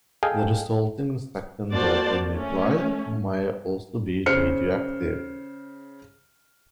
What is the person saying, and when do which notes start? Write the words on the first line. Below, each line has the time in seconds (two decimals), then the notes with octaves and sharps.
The resulting second daughter nuclide may also be radioactive.
0.23 G#4 A4 D#5 F5 G5 G#5
1.71 A#3 F#4 C5 D5 A5
2.33 A3 C#4
4.26 C#3 C5 F6 C#7